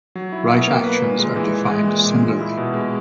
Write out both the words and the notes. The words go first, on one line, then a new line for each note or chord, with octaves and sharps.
Right actions are defined similarly.
F#3
E4
B2
A#3
B4
A#2
G#3
E3
E3
G#3
A#2
A#2
G#3
E4
B2
G#3